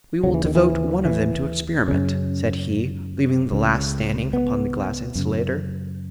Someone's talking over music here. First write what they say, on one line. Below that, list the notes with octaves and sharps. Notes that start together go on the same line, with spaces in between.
"We will devote one of them to experiment," said he, leaving the last standing upon the glass insulator.
D#2 C#3 F#3
E3
D#3
E3
E3
F#2 C#3 C#4
C#2 C#3
B3
F#2 C#3